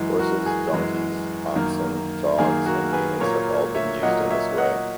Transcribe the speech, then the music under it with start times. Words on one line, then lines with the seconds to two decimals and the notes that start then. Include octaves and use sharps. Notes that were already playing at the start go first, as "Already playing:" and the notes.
Horses, donkeys, oxen, dogs, and humans have all been used in this way.
Already playing: F#2 E3 G#3
0.19 F#4 A#4
0.46 G#4
0.73 F#2 E3 G#3
1.56 F#2 D#3 A#3
2.38 F#2 D#3 A#3 G#4
2.66 F#4 A#4
2.93 G#4 B4
3.20 A#2 F#3 A#3 A#4 C#5
3.75 C#5 E5
4.02 A#2 F#3 A#3 D#5 F#5
4.30 C#5 E5
4.58 D#5 F#5